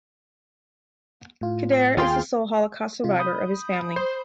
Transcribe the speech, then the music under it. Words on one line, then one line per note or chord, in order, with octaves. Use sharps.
Kader is the sole Holocaust survivor of his family.
A2 F4
D#2 F4 G#4 F5 G5 C6
C3 F4
B5 D#6 G6
C5